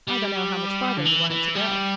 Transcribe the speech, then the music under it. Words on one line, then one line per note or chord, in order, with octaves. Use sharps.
I don't know how much farther you want it to go.'
G3
D3
E3
E3
G3